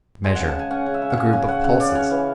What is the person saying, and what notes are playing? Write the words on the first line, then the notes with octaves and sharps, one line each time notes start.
Measure: A group of pulses.
G#3 G#5
C#3 F#5
A5
C#3 G#5
C#4 F#5
C#3
E5
C#3
F#5
C#3 G#5
C#3 G#5
C#4 F#5
C#3 F#5
C#3 D5
C#4 C#5
E3